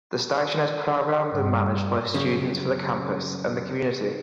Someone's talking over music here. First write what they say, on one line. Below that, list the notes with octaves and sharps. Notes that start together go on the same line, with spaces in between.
The station is programmed and managed by students for the campus and the community.
G2
F#2 C#3